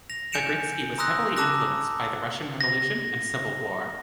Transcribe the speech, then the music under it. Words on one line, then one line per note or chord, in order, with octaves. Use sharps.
Bagritsky was heavily influenced by the Russian Revolution and Civil War.
A#6 F7
G#5 G6 C#7 D7 E7 F7
A#5 C6 D#6 E6 F#6 A#6
A5 A#5 D6 E6 F#6 A#6
A#6